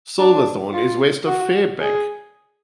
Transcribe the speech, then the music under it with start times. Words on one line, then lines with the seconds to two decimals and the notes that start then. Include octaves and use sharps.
Silverthorn is west of Fairbank.
0.19 D4
0.73 F4
1.27 F#4
1.81 G#4